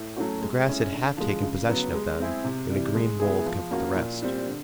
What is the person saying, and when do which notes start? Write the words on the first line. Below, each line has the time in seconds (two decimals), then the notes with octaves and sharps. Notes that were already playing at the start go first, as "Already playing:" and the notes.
The grass had half taken possession of them, and a green mould covered the rest.
Already playing: A2
0.16 F#3 A3 C#4 F#4
0.41 G#3
0.67 C#4 E4 G#4
0.92 D3
1.17 F3 G#3
1.42 C#3
1.69 F#3 B3
1.94 G#3
2.19 C4 E4 G#4
2.44 C3
2.70 E3 G3
2.95 G#3
3.20 B3 E4 G#4
3.46 F3
3.71 A#3 C#4 F#4
3.96 A#2
4.22 G3 C4
4.48 D3